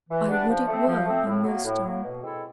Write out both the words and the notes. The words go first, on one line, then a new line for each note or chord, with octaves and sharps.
I would it were A millstone!
E3
G3 B3 D4
F3
A3 C4
F3
A3 C4
A2
F#3 A#3
A2
F#3 A#3
B2
G#3 C4 E4 A4